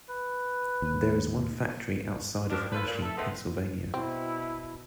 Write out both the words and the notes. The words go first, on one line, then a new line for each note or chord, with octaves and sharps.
There is one factory outside of Hershey, Pennsylvania.
B4
D#2
F2 D4 A#4
D4 F4 A4 B4
A#2
A4 E5
D3 G#3 A3 B3 C4 D#4
B2 C4 E4